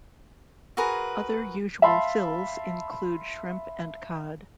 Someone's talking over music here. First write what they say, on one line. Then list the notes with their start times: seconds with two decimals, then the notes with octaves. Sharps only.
Other usual fills include shrimp and cod.
0.77 F#4 G#4 A#4 B4
1.82 E5 F5 A5 B5 C6